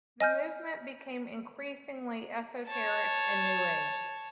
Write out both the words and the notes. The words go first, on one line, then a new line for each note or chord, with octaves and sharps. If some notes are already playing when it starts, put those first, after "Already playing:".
The movement became increasingly esoteric and New Age.
D#5 G#5 F6 G6
C#5 A5